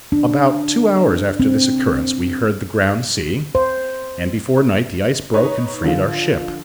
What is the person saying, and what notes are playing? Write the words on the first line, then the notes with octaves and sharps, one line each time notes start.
About two hours after this occurrence we heard the ground sea, and before night the ice broke and freed our ship.
D4
C4
C5
D#4 B4 C#5
D3 F3 F4